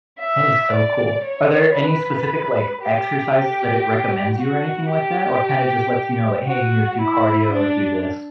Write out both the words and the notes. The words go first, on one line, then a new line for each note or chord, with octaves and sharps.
That is so cool. Are there any specific, like, exercises that it recommends you or anything like that or kinda just lets you know like, "Hey, you know, do cardio or do this?"
E5
D5
C#5
B4
G4
G4
F#4
G4
F#4
E4
D4